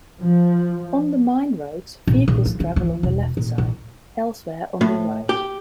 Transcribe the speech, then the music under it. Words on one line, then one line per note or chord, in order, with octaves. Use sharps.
On the mine roads, vehicles travel on the left side, elsewhere on the right.
F3
A#1
A#1
F3
D3
E3
E1
A#2
A#1
A2
G4